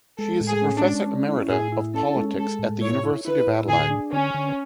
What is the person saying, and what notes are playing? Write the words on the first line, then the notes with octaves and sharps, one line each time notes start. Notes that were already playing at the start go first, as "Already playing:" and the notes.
She is the Professor Emerita of Politics at the University of Adelaide.
G#3 A4
A2
G#4
C#4
D4
G#3
C#4
E4
A2 G#4
E4
C#4 A4
G#3
G#3 A4
A2
E4 C#5
E4
E4 B4
A2
D3 G#4
D4
D3 C#4
D3